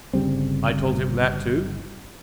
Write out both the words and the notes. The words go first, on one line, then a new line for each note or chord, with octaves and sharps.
"I told him that too?"
G1 C#3 G3 C4